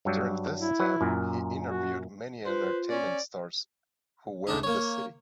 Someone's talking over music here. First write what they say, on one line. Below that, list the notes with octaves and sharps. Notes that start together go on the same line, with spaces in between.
During this time, he interviewed many entertainment stars who were in the city.
G2 F#3 G3
E4
F#3 B4
F#2 A#2
F#4
F4 B4 C5
C#4 D5
C#2 D4 D#4
A#3 C#5